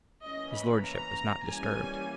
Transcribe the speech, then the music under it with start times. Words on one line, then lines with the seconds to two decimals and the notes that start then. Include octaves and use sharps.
His lordship was not disturbed.
0.25 E3 A#3 C#4 D#5
0.55 B5
0.86 A#5
1.46 E3 G3 A#3 C#4 G#5